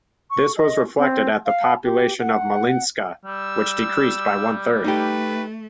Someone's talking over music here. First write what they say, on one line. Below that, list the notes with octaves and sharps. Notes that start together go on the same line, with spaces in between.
This was reflected at the population of Malinska, which decreased by one third.
C#6
D#5
C4
F5
G4
F#5
G3 E6
A3 D#4 G4 B4